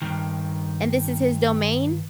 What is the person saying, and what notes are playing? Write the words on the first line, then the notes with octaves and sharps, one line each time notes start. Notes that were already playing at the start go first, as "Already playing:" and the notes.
and this is his domain?
G2 D#3